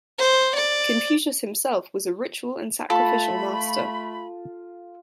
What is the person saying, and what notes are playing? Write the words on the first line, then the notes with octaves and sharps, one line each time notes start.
Confucius himself was a ritual and sacrificial master.
C5
D5
A3 F4 A4 A5 B5